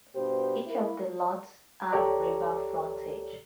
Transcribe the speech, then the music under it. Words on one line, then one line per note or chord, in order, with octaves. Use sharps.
Each of the lots have river frontage.
G2 B2 B3 G4 C5
A#3 E4
C#2 G4 A4 C#5 D5 A#5